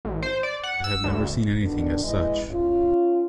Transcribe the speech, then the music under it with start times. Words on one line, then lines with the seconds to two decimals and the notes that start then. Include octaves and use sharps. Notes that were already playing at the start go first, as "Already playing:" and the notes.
I have never seen anything as such.
0.05 A1
0.22 C5
0.43 D5
0.63 F#5
0.84 E6
1.04 D2
1.63 B2 D3 D#3 D4
2.03 E3 G#3 E4 D#5
2.50 C#4 F4